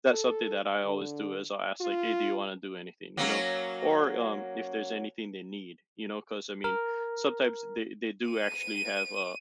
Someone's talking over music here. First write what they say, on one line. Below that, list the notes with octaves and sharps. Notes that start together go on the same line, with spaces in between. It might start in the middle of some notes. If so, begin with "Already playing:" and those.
that's something that I always do is I'll ask, like, "Hey, do you want to do anything," you know. Or, um, if there's anything they need, you know, 'cause I mean, sometimes they they do actually have a
A4
D3
F4
F#3 A#3 C#4
A#4
D#7